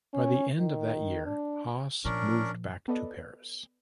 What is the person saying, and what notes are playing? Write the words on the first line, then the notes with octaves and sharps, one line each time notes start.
By the end of that year Haass moved back to Paris.
C#4
D#3
D4
A#2 F3 C#4 D4 A#4
B3 A4 B4 D5 D#5